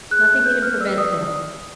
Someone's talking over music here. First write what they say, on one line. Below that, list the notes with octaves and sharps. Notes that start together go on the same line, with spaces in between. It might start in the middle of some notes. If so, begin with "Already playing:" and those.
Nothing can prevent that.
G#4 F#6
B4 G6
F6
D5 E6
D#6